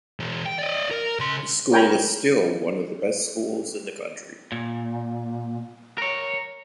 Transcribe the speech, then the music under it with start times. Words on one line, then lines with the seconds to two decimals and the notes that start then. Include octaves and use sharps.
The school is still one of the best schools in the country.
0.20 E3 G#3
0.46 G5
0.59 D5 D#5
0.91 A#4
1.20 C#3 C6
1.72 A#4 C#5 G5 G#5 A#5 B5
4.52 A#2
5.98 A#4 C#5